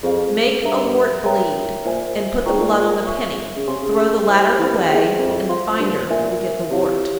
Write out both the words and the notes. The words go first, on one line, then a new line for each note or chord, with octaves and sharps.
Make a wart bleed, and put the blood on a penny, throw the latter away, and the finder will get the wart.
F2 G#4 C5 F5
G2 A#4 E5 A#5
A#4 C#5 E5 G5 A#5
A#2 C5 E5 G#5
A#2 G#4 C5 G5 A#5 C#6
G#2
A#2
C#5 E5 G#5 C#6
C#3
C3 C#5 F5 G#5 C6
C#3
E4 G4 C5 G5
E3
F2
E2 F4 G#4 C5 E5 G5
F2
F4 C5 F5 C6
G2
A#2 A#4 E5 G#5
C3 E4 G4 C#5 F5